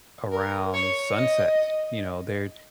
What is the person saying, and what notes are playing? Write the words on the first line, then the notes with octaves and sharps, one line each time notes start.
around sunset, you know, they're,
A#4
C#5
D#5